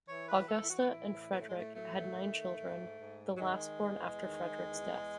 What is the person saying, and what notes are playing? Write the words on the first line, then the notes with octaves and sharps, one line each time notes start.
Augusta and Frederick had nine children, the last born after Frederick's death.
E3 C#5
B4
E3 A4
E4
F#4
A2 E4
A2 B3
A3
G#3
A3
F#3 A3
D#3
G#2
G#2
F#3
D#3 G#3
E2
D#3
E2